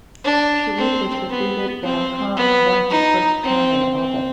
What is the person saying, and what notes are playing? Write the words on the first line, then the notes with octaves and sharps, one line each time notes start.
Shariff was defeated while Kang won his first term in office.
D4
C4
B3
C4
B3
D#4
C4
C4